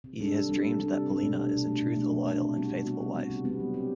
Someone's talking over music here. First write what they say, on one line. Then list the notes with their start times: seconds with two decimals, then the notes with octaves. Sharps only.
He has dreamed that Paolina is in truth a loyal and faithful wife.
0.04 C3
0.19 G3 D4 A4
0.34 C3
0.49 G3 D4 A4
0.64 C3
0.79 G3 D4 A4
0.93 C3
1.08 G3 D4 A4
1.23 B2
1.38 A3 D4
1.53 B2
1.67 A3 D4
1.82 B2
1.97 A3 D4
2.12 B2
2.26 A3 D4
2.41 C3
2.56 G3 B3 F#4
2.71 C3
2.86 G3 B3 F#4
3.01 C3
3.15 G3 B3 F#4
3.30 C3
3.45 G3 B3 F#4
3.60 F#3
3.74 C4 G4